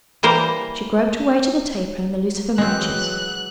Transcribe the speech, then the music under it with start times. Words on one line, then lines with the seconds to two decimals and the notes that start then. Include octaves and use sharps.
She groped her way to the taper and the lucifer matches.
0.23 E3 G3 A#3 A#4 C5
2.58 E3 F#3 G#3 C4 F#6